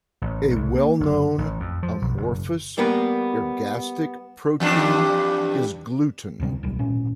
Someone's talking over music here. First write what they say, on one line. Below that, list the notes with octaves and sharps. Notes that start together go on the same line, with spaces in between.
A well-known amorphous ergastic protein is gluten.
A1
C2
A#3
F#1
A1
F2
F3
B1
F#1
G3 A#3 B3 B4
E2 G2 D4
D1 D2 C3 G3
D1 B1 G3
G#1 A#2 C#4